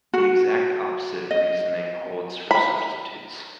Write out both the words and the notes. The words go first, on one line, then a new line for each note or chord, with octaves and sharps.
The exact opposite reasoning holds for substitutes.
F#4
D#5
B5